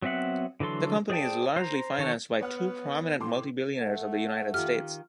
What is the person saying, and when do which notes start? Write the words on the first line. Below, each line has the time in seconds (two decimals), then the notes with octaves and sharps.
The company is largely financed by two prominent multi billionaires of the United States.
0.02 F#3 B3 C4 E5 F#5
0.60 D3 E3 F#3 A4 C6
1.10 G#4 C5 D5 G5 A5
1.56 C5 A#5
1.98 D#3 A4 C#5
2.41 B3 C#5 F#5 F6
3.20 A2 C6 D6
3.79 A3 F#5
4.54 D#3 F4 G4 F6